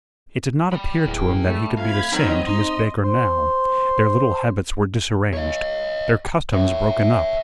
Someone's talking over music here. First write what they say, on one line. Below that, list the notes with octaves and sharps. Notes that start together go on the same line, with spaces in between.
It did not appear to him that he could be the same to Miss Baker now; their little habits were disarranged, their customs broken up.
G5 B5
D1 E2
A3
F2 F5 B5 G#6
D#3 F#3 C4 D#5
D#4 C6
C5 C6
C#5 D#5
C#5 E5